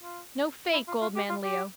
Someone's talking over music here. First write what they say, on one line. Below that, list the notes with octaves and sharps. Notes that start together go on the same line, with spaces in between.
No fake, old man Leo.
F4
E4
F4
F4
G4
F4
G4